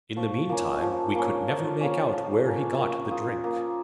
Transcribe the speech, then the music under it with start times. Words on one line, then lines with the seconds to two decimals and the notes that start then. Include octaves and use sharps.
In the meantime, we could never make out where he got the drink.
0.17 F3 C#6
0.49 A#3 C#4
0.82 F3
1.15 A#3 C#4
1.47 F3
1.80 A#3 C#4
2.13 F3
2.46 A#3 C#4
2.78 A#3 C#6
3.11 F4 D#6
3.44 A#3